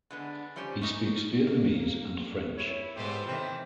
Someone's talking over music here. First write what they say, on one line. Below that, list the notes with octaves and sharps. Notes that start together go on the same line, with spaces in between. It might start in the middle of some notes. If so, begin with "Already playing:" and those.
He speaks Vietnamese and French.
D3 G#3 B3
F3 G3 C#4 G4 C5
C#4 D#4 A#4
A#3
E4 C#5
G#2 B3 G4 A4 B4 C5
C3 D#3 E3 C4